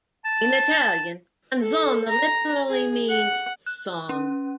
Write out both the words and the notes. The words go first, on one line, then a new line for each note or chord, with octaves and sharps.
In Italian, "canzona" literally means "song".
A5
A4
A#5
G#4
F#5
F#6
C#4